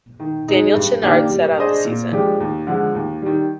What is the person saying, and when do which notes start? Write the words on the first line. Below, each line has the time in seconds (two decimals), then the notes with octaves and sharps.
Daniel Chenard sat out the season.
0.20 D#3
0.48 G#3 D#4 G#4
0.75 G2
1.02 D#3 A#3 D4 G4
1.30 G3
1.57 D4 G#4 C5 D#5
1.85 A#2
2.12 F3 G#3 D4 G4
2.40 D#2
2.67 D3 F3 G#3
2.95 D#2
3.22 D#3 G3